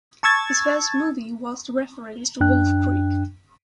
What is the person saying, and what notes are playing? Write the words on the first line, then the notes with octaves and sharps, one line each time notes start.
His first movie was the referenced Wolf Creek.
A5 C#6 E6 G#6 A6
F#2 D4 G5 F#6